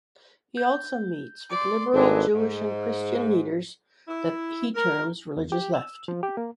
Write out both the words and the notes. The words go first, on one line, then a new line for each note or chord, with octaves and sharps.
He also meets with liberal Jewish and Christian leaders that he terms "religious left".
G6
D5 C6
G#1 G#3 D4 A4 B4 D5
G#2
E4
A#4
E2
G4
E6
F3
G4
A#3